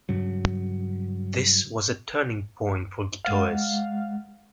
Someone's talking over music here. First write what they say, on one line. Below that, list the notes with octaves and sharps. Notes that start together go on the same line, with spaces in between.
This was a turning point for Gittoes.
G2 C#3 F#3
G#3 F5 F#5 A6